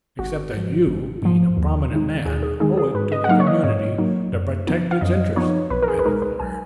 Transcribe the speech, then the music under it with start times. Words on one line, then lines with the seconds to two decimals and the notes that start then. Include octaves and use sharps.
"Except that you, being a prominent man, owe it to the community to protect its interests," added the lawyer.
0.19 G#1 F#4
0.53 G#2 F3
0.88 G#1
1.23 G#2 F3
1.57 D#2
1.91 D#3 G#3 D#4
2.26 D#2 G#4
2.43 G#4
2.60 D#3 G#3 D#4 G#4
2.77 G#4
2.94 G#2 B4
3.12 D#5
3.24 F#5
3.29 F#3 A#3 D#4 F5
3.40 C#5
3.47 D#5
3.64 G#2 C#5
3.98 F#3 A#3 D#4
4.33 F#2
4.67 F3 B3 D#4
4.91 F5
5.01 F#2 D#5
5.36 F3 B3 D#4 C#5
5.70 B1 B4
5.82 A#4
5.88 G#4
5.99 B4
6.05 B2 G#3 D#4 A#4
6.22 B4
6.40 B1 G#5